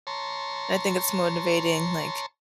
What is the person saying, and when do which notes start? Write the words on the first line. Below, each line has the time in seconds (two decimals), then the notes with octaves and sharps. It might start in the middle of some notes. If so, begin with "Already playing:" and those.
And I think it's motivating, like,
0.07 C#5 A5 A#5 C6